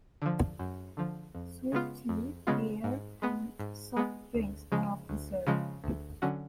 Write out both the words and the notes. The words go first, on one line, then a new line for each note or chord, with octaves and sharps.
Sweet tea, beer, and soft drinks are often served.
D3 F3
F#2
D3 F3
F2
C#3 G#3 B3 F4
F2
C#3 G#3 B3 F4
G#2
G#3 B3
G#2
G#3 B3
D2
C#3 F3 G#3
D2
C#3 F3 G#3
D2
D3 F#3 C#4 F#4